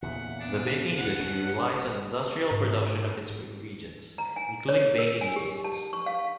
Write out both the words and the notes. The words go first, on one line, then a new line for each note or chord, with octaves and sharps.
The baking industry relies on industrial production of its ingredients, including baking yeasts.
E2 A#2 C#3 E5 F#5
B3 D4
E4 F#5
C#4 D4
G#2
A#5
G#5
C#5
A#4
G#5
G4
A5
C#6
F5